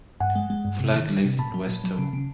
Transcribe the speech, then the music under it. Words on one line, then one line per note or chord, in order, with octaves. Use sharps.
Flagg lived in Westoe.
G2 F#5 G#5
G#3
G#3
G2
C3
D#3
G3
C3
A#2 A5 B5
F#3
A#2
F#3
C#3
C#3